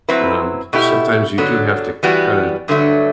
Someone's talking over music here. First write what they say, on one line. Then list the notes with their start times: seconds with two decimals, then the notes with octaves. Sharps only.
um, sometimes you do have to kinda
0.09 F#3 C4 E4 B4
0.73 B2 A3 E4 G4
1.38 D3 F#3 B3 D4 A4
2.03 E3 G3 B3 F#4
2.68 G2 D3 F#3 A3